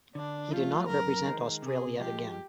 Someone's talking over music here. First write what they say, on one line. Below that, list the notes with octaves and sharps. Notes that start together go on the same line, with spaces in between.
He did not represent Australia again.
D3 D4
F3 A3 F4
F#2 A#4
D#3 G#3
C3 G#4
F3 G#3 G4